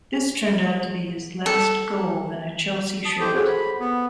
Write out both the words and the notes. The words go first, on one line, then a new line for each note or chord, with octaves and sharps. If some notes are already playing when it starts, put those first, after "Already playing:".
This turned out to be his last goal in a Chelsea shirt.
A4
A5 D#6
G4 A4 C5
F#4 G#4 A4 C5 C#5
B5
B3